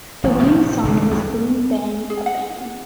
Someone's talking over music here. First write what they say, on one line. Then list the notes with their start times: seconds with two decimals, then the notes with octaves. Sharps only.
The winning song was Boom Bang A Bang.
0.24 A1
0.43 A2 C3 D#3 F3
0.83 G#1 C#2 B2
1.11 C2 G2
2.10 G#4
2.26 F#5